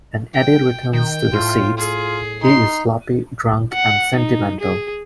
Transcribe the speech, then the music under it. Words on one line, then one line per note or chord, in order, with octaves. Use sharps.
When Eddie returns to the seats, he is sloppy drunk and sentimental.
G5
D#3 G5
A2 F4
F4 G#4
D#4 C6
F#5
D#4
G#4